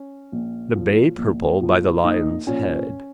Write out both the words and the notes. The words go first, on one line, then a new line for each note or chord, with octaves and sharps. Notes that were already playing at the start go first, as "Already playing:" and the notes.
The bay purple by the Lion's head.
Already playing: C#4
A#1
A#2 F3
A#1
A#2 F3
A#1 D#4
A#2 F3 C#4